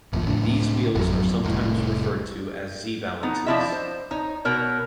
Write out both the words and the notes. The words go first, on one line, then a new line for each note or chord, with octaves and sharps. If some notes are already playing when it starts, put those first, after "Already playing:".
These wheels are sometimes referred to as "Z-balances".
A1 D#2 F3
C#2 A2 D4
G#1 F2 F#3
F1 C2 A2
B3 D#4
F3 D4 E4 F4 D#5 E5
C5
D#4 C#5
B2 A#4 C#5